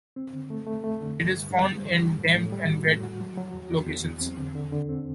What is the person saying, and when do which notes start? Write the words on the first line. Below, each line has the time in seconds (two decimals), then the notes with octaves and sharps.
It is found in damp and wet locations.
0.16 C4
0.33 D3
0.50 A3
0.67 A3
0.84 A3
1.01 D3
1.18 G2
1.35 G2
1.51 G2
1.68 G3
1.85 E3
2.02 G3
2.18 A2
2.36 A2
2.52 G3
2.69 F#4
2.86 A2
3.03 F#4
3.21 F#3
3.37 F#3
3.54 E2
3.70 E2
3.87 E2
4.04 E2
4.21 C4
4.38 D3
4.55 D3
4.72 D3
4.89 C4